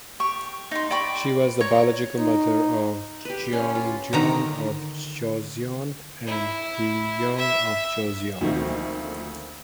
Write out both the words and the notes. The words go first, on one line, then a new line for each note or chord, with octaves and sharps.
She was the biological mother of Jeongjong of Joseon and Taejong of Joseon.
G4 C#6
D#4 C6
D5 G5 B5 C#6
C#5 A#5
D#4
G4 B4
C#4
F4
D3 D#3 A#5
E4
E5
D2 D#3 F3 A3 A#3 C4